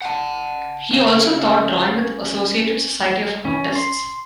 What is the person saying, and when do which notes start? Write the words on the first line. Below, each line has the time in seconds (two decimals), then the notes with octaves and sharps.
He also taught drawing at the associated Society of Artists.
0.02 F#5 A5
0.91 C#4 F5
3.45 C#4
3.75 C6